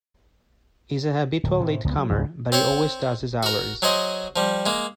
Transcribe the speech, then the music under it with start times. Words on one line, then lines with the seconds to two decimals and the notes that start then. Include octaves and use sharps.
He's a habitual latecomer, but he always does his hours.
1.43 D1
1.60 A2 C3
1.85 C#2 A#3 B3
1.98 F#3
2.10 C#2 G#2 E3
2.52 C4 C5 C#5
3.43 F#4 A#4
3.82 F#3 G#4 C5 D#5
4.36 F3 G3
4.66 G#3 A#3